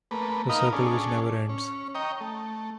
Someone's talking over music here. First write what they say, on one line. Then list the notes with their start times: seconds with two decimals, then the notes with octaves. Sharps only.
The circle which never ends.
0.11 A3 A#3 B4
0.49 A#3 D#4 A#4 B4 D#5 F5
0.73 C#4 D4 G#4 A4
1.49 C#4
1.95 C#5 D#5 G5 A#5
2.21 A3